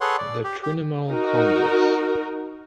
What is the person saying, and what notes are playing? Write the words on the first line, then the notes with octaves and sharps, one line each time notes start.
The Trinomul Congress.
G#4 A4 B4 C#5 F#5 C6
D5
G4
G4
D#4 F#4 A#4